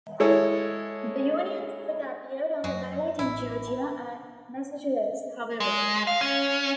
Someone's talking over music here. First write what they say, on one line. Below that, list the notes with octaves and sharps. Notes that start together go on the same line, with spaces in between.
The Union ticket appeared on the ballot in Georgia and Massachusetts, however.
G#3 E4 A4 C#5
F#2 G#3 F#4
A1 E4
G#3
F5
C#4